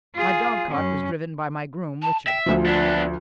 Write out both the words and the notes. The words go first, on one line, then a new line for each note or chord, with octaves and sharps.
My dogcart was driven by my groom, Richard.
F4 G#4
F#2 C#4
A5
E5 G5
D2 F3 F4
B3 D4